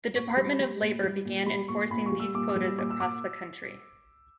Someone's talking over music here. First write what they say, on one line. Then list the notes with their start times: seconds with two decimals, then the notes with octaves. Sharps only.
The Department of Labor began enforcing these quotas across the country.
0.15 A#2 C#6
0.30 B5
0.37 G3
0.45 B5
0.59 G3
0.81 A#2
1.03 G3
1.25 A#2
1.46 G3 B5
1.68 A#2 C#6
1.90 A#2 B5
2.06 C#6
2.12 G3
2.20 E6
2.34 A#2 D6
2.49 D6
2.56 G3
2.64 E6
2.79 A#2 D6
2.91 E6
3.00 A#2 D6